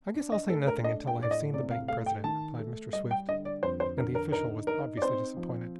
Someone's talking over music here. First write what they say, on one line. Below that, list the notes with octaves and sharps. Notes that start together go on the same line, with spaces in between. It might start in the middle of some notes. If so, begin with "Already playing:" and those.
"I guess I'll say nothing until I have seen the bank president," replied Mr. Swift, and the official was obviously disappointed.
D4
D#5
A3 A4
A#4
D4 D#5
G5
A2 D5
D#5
C3 D5
F5
A3 F5
G5
D#3 A5
A3
G3 D#5
G5
D3 D#5
D5
F2 C5
C5
D3 A#4
A#4
D#4 A#4
D#4 A#4
D5
C4 C5
F3